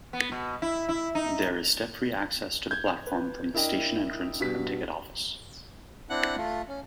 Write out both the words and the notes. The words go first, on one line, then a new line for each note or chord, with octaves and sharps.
There is step-free access to the platform from the station entrance and ticket office.
B3
B2
E4
E4
D#4
G6 G#6
B4
D4 E4 A#4 D#5 E5 G5
G2 B2 G3 B6
C4 D4 E4 F#5 F#6
A3 F4
C#4